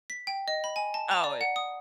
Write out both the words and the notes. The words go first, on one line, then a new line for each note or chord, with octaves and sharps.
Oh, i
B6
G5
D#5
B5
G#5
A5
A#5
D5
F#5
D#6